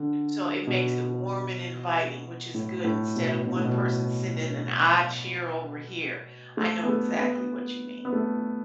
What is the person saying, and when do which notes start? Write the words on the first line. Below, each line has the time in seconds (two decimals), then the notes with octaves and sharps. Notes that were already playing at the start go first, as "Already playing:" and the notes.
So, it makes it warm and inviting which is good instead of one person sitting in an odd cheer over here. I know exactly what you mean.
Already playing: D3
0.67 B2
2.54 A2
2.84 A2
3.16 B2
3.46 B2
3.56 A2
3.65 B2
6.57 A3
6.83 B3
6.89 A3
7.20 B3
8.05 B3
8.13 A3